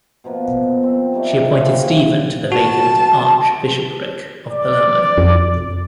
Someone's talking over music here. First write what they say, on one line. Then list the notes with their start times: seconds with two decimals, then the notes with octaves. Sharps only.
She appointed Stephen to the vacant archbishopric of Palermo.
0.24 B2 F3 A#3 B3
0.83 C4
1.14 D#3 G3 A3
1.48 F3 G#3 A3 G4
1.78 G#3 C#4 E4 F4
2.52 F#4 A5
4.51 D5
5.18 F2